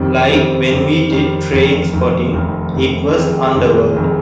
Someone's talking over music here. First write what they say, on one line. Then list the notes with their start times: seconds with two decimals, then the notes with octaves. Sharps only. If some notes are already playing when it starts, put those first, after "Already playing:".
Like when we did "Trainspotting", it was Underworld.
Already playing: F2 D#3 G3 C4
0.30 F2 D#3 G3 C4
0.70 F2 D#3 G3 C4
1.11 F2 D#3 G3 C4
1.52 F1 F2 D#3
1.93 F1 F2 D#3
2.33 F1 F2 D#3
2.73 F1 F2 D#3
3.14 F1 F2 D#3 G#3
3.55 F1 F2 D#3 G#3
3.95 F1 F2 D#3 G#3